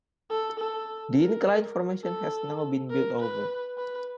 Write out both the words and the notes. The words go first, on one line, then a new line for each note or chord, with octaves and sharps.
The incline formation has now been built over.
A4
A4
A#4
A4
A#4
B4
B4